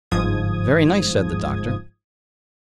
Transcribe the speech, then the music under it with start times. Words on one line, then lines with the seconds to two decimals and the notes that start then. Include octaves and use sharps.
"Very nice," said the Doctor.
0.11 G1 G#2 F3 D#6 G#6